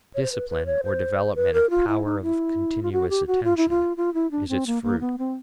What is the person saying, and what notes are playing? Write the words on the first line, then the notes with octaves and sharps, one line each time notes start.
Discipline or development of power of continuous attention is its fruit.
C#5
C5
B4
B4
C#5
C5
B4
A#4
F4
E4
D#4
E4
F4
F#4
G4
F#4
F4
E4
F4
F4
E4
D4
C4
A#3
A#3
B3
C4